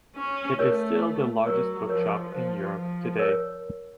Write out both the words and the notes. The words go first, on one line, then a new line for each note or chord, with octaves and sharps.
It is still the largest bookshop in Europe today.
C#4
A3 A#4 C#5
F#3 A#4 C#5
F3 A#4 C#5
F3 C5
F3
A#4 C#5